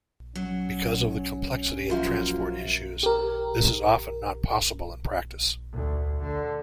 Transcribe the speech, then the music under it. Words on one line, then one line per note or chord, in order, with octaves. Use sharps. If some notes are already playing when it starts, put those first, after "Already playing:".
Because of the complexity of transport issues, this is often not possible in practice.
F#3 C#4
F#2 F3 A#3 F4 F#4 F5
G4 A#4
D2
D3